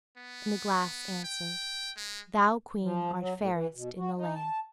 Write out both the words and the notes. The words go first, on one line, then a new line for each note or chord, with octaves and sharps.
And the glass answered, "Thou, Queen, art fairest in the land."
B3
G5
G#3
F3
F#3
A2
E3
B2
F#4
D#4
A5